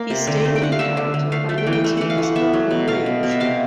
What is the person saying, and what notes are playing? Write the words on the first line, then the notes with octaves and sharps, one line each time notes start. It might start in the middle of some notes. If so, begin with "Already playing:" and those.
He stayed in character by limiting his vocal range.
Already playing: A#3
C3
D3
A3
G5
D3 F#5
F5
D3 E5
D3
D3
A3 F5
A3
G5
E3
G5
A3
E3 F#5
F5
A3 F#5
B3 E5
F#3
B2
B2 F5
B3
B2
E5
C3 F5